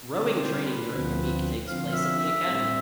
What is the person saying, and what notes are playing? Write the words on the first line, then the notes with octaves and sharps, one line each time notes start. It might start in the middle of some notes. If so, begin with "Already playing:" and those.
Rowing training during the week takes place at the Academy.
D3 G3 C4 D5
C5
B4
D2 D3 F3 C4
D3 F3 C4 F5
E5
E5
A2 G3 C4